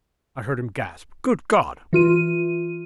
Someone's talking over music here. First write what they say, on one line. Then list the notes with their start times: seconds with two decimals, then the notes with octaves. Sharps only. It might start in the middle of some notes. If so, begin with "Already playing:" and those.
I heard him gasp, "Good God!"
1.93 E3 F4 D#7